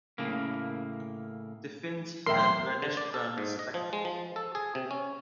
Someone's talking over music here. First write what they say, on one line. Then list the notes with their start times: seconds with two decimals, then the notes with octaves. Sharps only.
The fins have reddish-brown speckles.
0.18 A2 C#3 A#3
2.26 B1 E2 A2 A#4 E5 G5 C6
2.82 D3
2.97 D5
3.14 A4
3.38 G#2
3.59 D#5
3.74 F3
3.93 G#3
4.05 F3
4.36 A4
4.55 G#4
4.75 C3
4.91 C#4